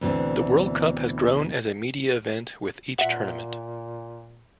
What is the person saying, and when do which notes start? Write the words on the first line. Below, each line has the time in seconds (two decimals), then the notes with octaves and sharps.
The World Cup has grown as a media event with each tournament.
0.01 D2 B2 E3 C4 D4
2.99 A#2 E5 F#5